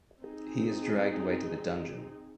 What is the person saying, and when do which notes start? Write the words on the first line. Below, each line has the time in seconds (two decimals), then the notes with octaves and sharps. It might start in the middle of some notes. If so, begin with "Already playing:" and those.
He is dragged away to the dungeon.
0.21 C4 D#4 G#4